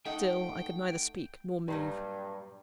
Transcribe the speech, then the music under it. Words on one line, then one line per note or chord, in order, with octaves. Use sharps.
Still I could neither speak nor move.
A3 D#4 F#5 G5
G2 A#2 F#3 G3